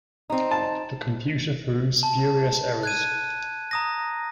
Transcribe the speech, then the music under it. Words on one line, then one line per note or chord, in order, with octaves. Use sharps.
The computer threw spurious errors.
C4 D#4
A5
A5
F#6 G#6 D#7
A#5 D#6 A#6